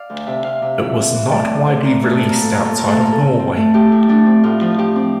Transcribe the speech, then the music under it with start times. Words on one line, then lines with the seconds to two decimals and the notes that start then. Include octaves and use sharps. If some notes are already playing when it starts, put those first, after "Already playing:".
It was not widely released outside of Norway.
Already playing: D5 F5
0.10 D2
0.27 C3 E5
0.44 C3 F5
0.62 C3 E5
0.79 E3 E5
0.97 C4
1.14 E3
1.31 A2 D5
1.48 E3
1.65 A2 C5
1.84 C4 A#4
2.01 A3
2.18 A2 A4
2.30 A#4
2.35 A#2
2.41 A4
2.52 A#2 A#4
2.65 A#2 A4
2.78 A#4
2.87 A3 A4
3.01 A#2 A#4
3.12 A4
3.22 C4
3.39 C4
3.57 A3
3.74 A2 G4
3.92 A2 E4
4.09 A3 D4
4.26 C4
4.44 A2 F4
4.61 F3
4.78 F3 G4
4.96 C4